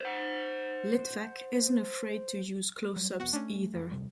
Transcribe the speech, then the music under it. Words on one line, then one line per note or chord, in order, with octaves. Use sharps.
Litvak isn't afraid to use close-ups either.
C5 F#5
F#3 G3
E1 B3 F#4 F#5
A3 C#4 D4
F2
D1 C3 G3